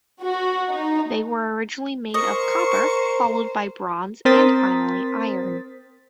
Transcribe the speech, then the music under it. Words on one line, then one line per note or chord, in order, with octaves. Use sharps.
They were originally made of copper, followed by bronze and finally iron.
F#4
D#4
A#4 C5 D#5 C#6
C4 A#4 C5 D#6 A6 B6